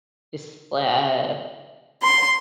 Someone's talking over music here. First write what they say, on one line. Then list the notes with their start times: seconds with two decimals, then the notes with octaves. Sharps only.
this blah
2.03 C6